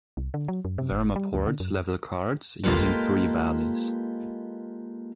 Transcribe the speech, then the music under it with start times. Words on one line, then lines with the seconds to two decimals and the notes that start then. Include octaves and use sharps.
Vermaports level carts using three valleys.
0.17 C2
0.34 D3
0.48 F#3
0.65 F#2
0.78 C3
0.91 F#1
1.16 G3
1.34 D2
1.47 D3
1.60 F#2
2.64 G#3 A#3 F4 G4 A4 B4